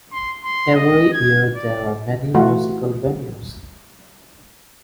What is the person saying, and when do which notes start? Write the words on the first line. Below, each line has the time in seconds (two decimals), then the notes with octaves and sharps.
Every year there are many musical venues.
0.12 C6
0.44 C6
0.75 D#5
1.13 G#6
1.55 D5
2.34 E3 A3 F4 F#4